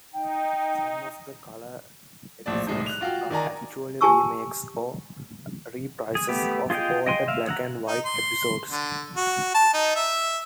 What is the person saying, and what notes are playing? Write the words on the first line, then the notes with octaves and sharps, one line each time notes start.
Some of the colour episodes are actually remakes or reprises of older black-and-white episodes.
D#4 G5
A#1 A2 D5
C2 A2 G#3 D#4
F#6 F7
F4 F#4 F5 G5
D#3 D5 G#5 A#5
G4 G#5 A5 C#6 E6
G#4
A3 B3 G4
F4 G#4 D#5 F5 G5
D#5 G5 G#5 C6
E5 F5
G#4 F#5 A#5
D#4
C6
D3
F#4
A5
D#4
E5